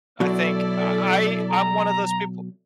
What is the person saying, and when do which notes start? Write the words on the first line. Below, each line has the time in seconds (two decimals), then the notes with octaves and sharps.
I think I I I'm one of those people
0.20 B2 F#3 E4 A4 D5
1.49 A#5